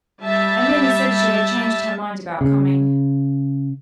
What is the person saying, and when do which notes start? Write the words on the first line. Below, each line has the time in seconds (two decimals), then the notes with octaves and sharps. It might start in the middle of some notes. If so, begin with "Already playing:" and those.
"I merely said she had changed her mind about coming."
0.22 G3 E5 A5
2.41 C#3